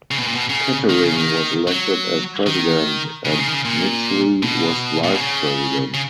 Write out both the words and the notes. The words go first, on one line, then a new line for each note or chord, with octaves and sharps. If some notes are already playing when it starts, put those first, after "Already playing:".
Kettering was elected as president, and Midgley was vice president.
C#3
B2
A#2
B2
C#3
D#3
C#3
D#3
F#3
D#3
C#3
D#3
C#3
D#3
C#3
A#2
B2
A#2
B2
C#3
C#3